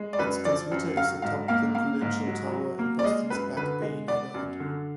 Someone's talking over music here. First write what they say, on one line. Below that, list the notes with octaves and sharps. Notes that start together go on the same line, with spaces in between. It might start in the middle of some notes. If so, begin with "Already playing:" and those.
Its transmitter is atop the Prudential Tower in Boston's Back Bay neighborhood.
Already playing: G#3
D5
F#2 B4
F3 D5
F#2
F#3 F5
G#2 F5
A#3 F5
A#3 F5
G#2
F#3
F#3
A#3
D5
G#3 D#5
F#2 B4
D3 B4
G#3
B3 D5
F#2
D3